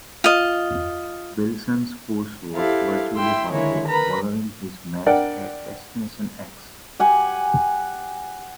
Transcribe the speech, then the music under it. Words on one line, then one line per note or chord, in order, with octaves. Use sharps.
Wilson's push was virtually halted following his match at Destination X.
F4 D#5
E4 G4 A4 C5 F5
E4 E5 G5 C6 E6
D3 D#3 G#3 A#3 E4 C#5
A#4 B4 A#5 B5
D4 A#4 D5 F#5 G5
G4 F#5 G#5